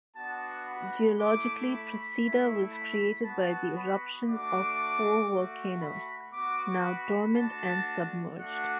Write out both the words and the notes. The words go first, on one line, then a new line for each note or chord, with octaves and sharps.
Geologically, Procida was created by the eruption of four volcanoes, now dormant and submerged.
B3 D4 F#4 A5
B5
A3 E4 D6
B5
A3 E4
B5
B3 F#4 A5
B5
A3 D4 F#4 D6
A3 F#4
B5
B3 F#4 D6
B5
A3 D4 F#4 A5
A3 D4 F#4 F#5